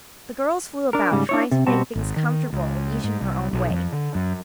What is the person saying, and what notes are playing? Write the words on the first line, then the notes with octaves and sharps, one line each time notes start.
The girls flew about, trying to make things comfortable, each in her own way.
D4 A#4
G#2 C#3 G3
D4 E4 C#5
C3
B2 G3 C4 F#4 G4 A5
G#1
D#3
C#2
G#2
C2
B1
F2
D3
F#2